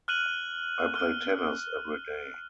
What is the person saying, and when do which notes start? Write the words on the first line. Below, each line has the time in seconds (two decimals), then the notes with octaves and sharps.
I play tennis everyday.
0.08 F6 F#6 D#7 F#7
0.95 F6